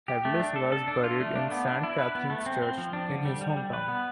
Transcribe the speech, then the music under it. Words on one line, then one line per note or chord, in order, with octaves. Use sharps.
Hevelius was buried in Saint Catherine's Church in his hometown.
G4
A3
D4
A4
A4
D4
F4
A3
D4
B3
D4
E4
B4
B3
A3
C4
C4
F3
D4
D3
G3
G3
G3
B4
B3